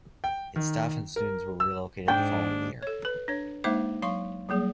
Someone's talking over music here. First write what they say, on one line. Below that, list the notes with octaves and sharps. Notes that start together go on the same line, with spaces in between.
Its staff and students were relocated the following year.
G5
D#3
A#4
E6
G#2 D4 G5
A4 C#5
B4
D4 C#5
G#3 A#3 D#4 C5 E5 D6
F#3 F5 C6 C#6
F#3 G3 A#3 G#4